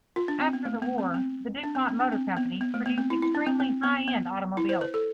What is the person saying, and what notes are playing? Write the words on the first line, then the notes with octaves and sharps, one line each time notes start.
After the war, the Du Pont Motor Company produced extremely high-end automobiles.
F4
D4
C4
B3
A3
B3
C4
C4
D4
C4
B3
D4
C4
B3
B3
A3
B3
C4
E4
E4
D4
C4
C4
B3
B3
E4
C5
B4
A4